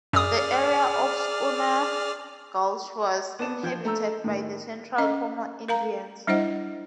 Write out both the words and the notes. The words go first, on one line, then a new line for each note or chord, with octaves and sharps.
The area of Schooner Gulch was inhabited by the Central Pomo Indians.
F#2 G#4 D5 D#6 F6
B3 D5 A5 E7
F3 G6 G#6
A3 A#5 E6
A2 D#3
C#4 D#5
A#4 F5 A#5
G3 D4 E4 C5 D#5 F#5